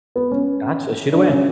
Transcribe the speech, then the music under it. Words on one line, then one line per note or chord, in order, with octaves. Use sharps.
Gotcha, shoot away.
B3
C#4
D4
C#4